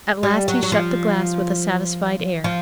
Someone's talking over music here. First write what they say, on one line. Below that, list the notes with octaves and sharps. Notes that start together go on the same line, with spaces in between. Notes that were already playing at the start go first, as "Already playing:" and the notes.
At last he shut the glass with a satisfied air.
G3
F#3
F#3
F3
F3